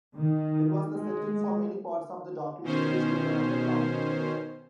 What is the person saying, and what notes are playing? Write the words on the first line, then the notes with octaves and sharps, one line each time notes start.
It was the setting for many parts of the documentary Children Underground.
D#3
G#3
B2 D#3 C#4 C5